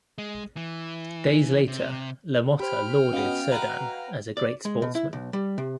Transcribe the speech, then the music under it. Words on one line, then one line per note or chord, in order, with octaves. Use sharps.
Days later, LaMotta lauded Cerdan as a great sportsman.
G#3
E3
C3
G4 C5 G5 B5 F6
B2 B3 C#4 F#4 D#5 F5
B4 F#5 A#5
D5
G#3
B2
E4
B1
G3
C3